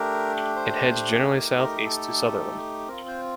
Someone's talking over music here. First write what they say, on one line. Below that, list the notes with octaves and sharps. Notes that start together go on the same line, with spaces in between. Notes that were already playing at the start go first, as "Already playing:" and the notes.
It heads generally south-east to Sutherland.
Already playing: A3 D4 G4 A#4
C5
A3 D#4 G4 A#4
A#4
A4
C4 F4 A#4
C5